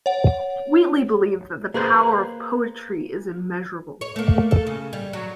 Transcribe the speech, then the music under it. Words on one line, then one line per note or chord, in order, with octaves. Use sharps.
Wheatley believed that the power of poetry is immeasurable.
C#5 F#5
A#3 G#4 B4 C5
C#5
A3 A#3
A4
C#3
G3
F#3